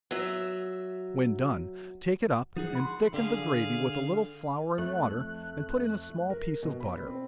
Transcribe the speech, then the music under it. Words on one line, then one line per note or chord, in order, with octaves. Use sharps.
When done, take it up, and thicken the gravy with a little flour and water, and put in a small piece of butter.
F#3 E5
F3 D#4 G#4 F#5
B5 C6
D3 G#4 F5
F2 A3 F#6
A#4
B2
B5
C4